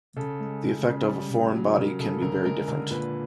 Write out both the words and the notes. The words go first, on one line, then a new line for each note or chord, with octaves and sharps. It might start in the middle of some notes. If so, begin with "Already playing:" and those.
The effect of a foreign body can be very different.
C#3 A4
G#3
C#3
C#3
G3
C#3
F#3
C#3 A#4
C#3 A4
D3 A#4
G#3 A#4
D3 A#4
A#2 B4